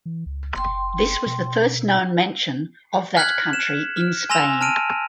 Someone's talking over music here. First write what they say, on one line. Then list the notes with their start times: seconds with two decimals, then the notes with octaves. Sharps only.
This was the first known mention of that country in Spain.
0.06 E3
0.26 C#2
0.56 F#1 G5 C6
1.26 B2
3.17 F6 F#6 G#6 B6 F#7
3.53 E7
3.97 F6
4.30 G#5 C6 E6 A#6 E7 F7
4.61 A5 F6 D7 D#7